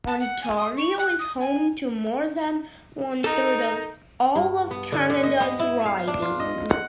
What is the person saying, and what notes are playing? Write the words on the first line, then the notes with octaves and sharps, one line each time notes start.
Ontario is home to more than one third of all of Canada's ridings.
A5
F#5
G#5
D#6
C#6
F#6
D#6
G#5
D#4 A4 A#4
G2
B3
D3
D3
D#5
B3
E4
F5
D4
F4
D#5
F#5